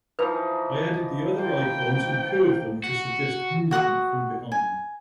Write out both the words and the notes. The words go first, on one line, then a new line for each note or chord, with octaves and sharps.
I added the other icons and curved them to suggest movement from behind.
E3 F3 D#4 B4
C5 G5
F#4
F#4 F#5 C#6 D#6
G#5